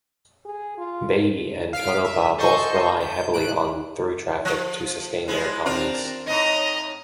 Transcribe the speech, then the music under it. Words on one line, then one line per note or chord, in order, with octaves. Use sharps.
Beatty and Tonopah both rely heavily on through traffic to sustain their economies.
G#4
F4
F5 F6 B6 D7
E5
A4 C5 D#5 C6 C#6 G6
G6
A2 F#6 D7
F3
F3 G#3 E4
C4 D4 F4 A#4 A#5
A2 D#4 D#5 A#5